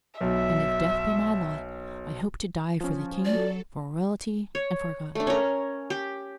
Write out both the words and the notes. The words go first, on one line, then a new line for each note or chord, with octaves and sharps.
And if death be my lot, I hope to die for the king, for royalty and for God.
B1 E5
F3 C#4
F#3 A4 D5
C#5
A3 D4
C#4 A#4
G4